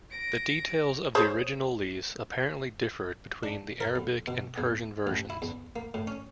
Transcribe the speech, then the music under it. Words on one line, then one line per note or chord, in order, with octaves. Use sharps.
The details of the original lease apparently differed between the Arabic and Persian versions.
A#6 D7
G#4 C5 C#5
D4
A#4
B1
B2
E2
A1
E4
E2
A#3
A2
C#4